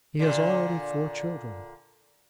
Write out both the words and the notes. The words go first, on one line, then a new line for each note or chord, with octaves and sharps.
He has already four children.
A#2 D3